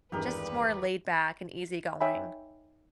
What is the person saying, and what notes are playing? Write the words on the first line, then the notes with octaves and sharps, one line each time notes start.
just more laid back and easy-going.
G#1 E2 G2 G#3 G4 A#4 B4
D#4 C#5 E5 G5 G#5 B5